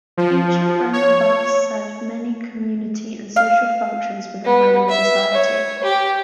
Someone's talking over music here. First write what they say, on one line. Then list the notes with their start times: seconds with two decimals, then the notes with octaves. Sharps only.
Ancient Roman baths served many community and social functions within Roman society.
0.17 F3
0.93 C#5
3.36 F5
4.45 B3
4.88 E5
5.34 C#5
5.83 G4